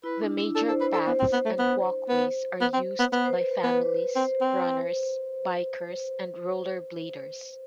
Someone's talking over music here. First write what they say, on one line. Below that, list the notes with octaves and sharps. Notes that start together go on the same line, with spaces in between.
The major paths and walkways are used by families, runners, bikers and rollerbladers.
E4 B4
D4
E4
A4 D5
A4 C5
B4 C5
A4 D5
B3 C5
C4
B3
A3
B3
B3
B3
C4
B3
B3 B4
C5
B4
B3 B4
C4 C5
C4